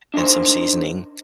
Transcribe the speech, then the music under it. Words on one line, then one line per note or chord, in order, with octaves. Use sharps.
and some seasoning,
D4 D#4 G4 A#4 C5